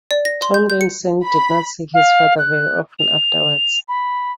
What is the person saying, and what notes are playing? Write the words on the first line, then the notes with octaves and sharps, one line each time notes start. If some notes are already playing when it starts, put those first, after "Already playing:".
Tomlinson did not see his father very often afterwards.
D5
A#6
C6
G6
G6
C#7
B5
F5
F#6
F7
B5